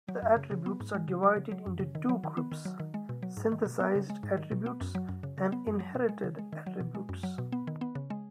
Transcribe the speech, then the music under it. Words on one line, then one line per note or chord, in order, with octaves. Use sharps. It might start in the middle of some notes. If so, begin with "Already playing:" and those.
The attributes are divided into two groups: "synthesized" attributes and "inherited" attributes.
F#3
F#2
C#3
C#3
B3
G#2
G#3
C#3
F#3
C#3
F#3
F#2
C#3
D#3
F#3
D#3
B3
D#3
F#3
D#3
G#3
B2
F#3
G#2
D#3
B2
B3
C#3
G#3
G#2
D#3
B2
B3
F#2
F#3
F#2
C#3
C#3
B3
F#2
F#3
B2
G#3
C#3
G#3
D#3
F#3
B2
G#3
F#2
F#3
B2
B3
D#3
B3
C#3
G#3